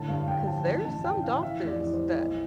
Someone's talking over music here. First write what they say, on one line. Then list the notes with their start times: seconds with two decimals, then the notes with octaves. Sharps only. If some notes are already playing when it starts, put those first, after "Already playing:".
'Cause there's some doctors that
Already playing: A2 D3 A5
0.08 G2 F5
0.27 G2 G5
0.47 F3 A5
0.66 A1 A5
0.85 A1 A5
1.04 A2 G5
1.23 A1 F5
1.36 F5
1.42 E3 E5
1.62 F1
1.67 D5
1.81 E3
1.93 C5
2.00 E3
2.18 B1